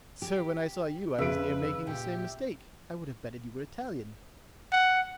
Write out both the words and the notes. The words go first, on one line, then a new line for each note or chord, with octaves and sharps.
"Sir, when I saw you, I was near making the same mistake; I would have betted you were Italian."
G4
F2 C#3 B4 E5 D7
A#2 G4
F#5